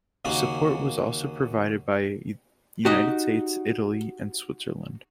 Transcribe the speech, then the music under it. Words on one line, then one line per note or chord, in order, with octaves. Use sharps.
Support was also provided by United States, Italy, and Switzerland.
D#2 C#3 A#3 F#4 F#5
D#4 F#4 G4